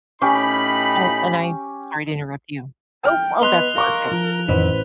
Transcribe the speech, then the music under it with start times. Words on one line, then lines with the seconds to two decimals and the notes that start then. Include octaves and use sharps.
Oh, and I'm sorry to interrupt you. Oh, oh, that's perfect.
0.22 A2 C#4 D#4 G4 B5
3.05 G5 F6
3.42 B3 B4 D#5 C6 F#6 F7 G7
3.76 A#4 F5 C#6 D6
4.11 F3
4.48 A1 F2 D#3 D#4 B4 C5